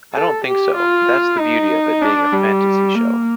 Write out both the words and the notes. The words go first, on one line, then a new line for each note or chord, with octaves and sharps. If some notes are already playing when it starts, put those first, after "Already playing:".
I don't think so...That's the beauty of it being a fantasy show.
A4
G4
F4
D#4
D4
G3
A#3